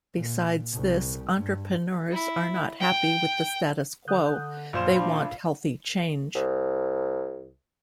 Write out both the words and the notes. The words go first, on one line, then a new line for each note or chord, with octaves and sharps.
Besides this, entrepreneurs are not happy with the status quo; they want healthy change.
A#2
C2
G2
E4
G5
D3 D#6 F#6 G6
A#1 F#2 C5 F5 E7
D4 B5
C2